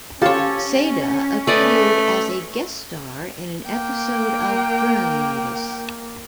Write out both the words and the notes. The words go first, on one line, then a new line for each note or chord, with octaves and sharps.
Seda appeared as a guest star in an episode of "Burn Notice".
C#4 F4 G4 A4 C#5 F5
A3 B4 D5 D#5
A#3 G5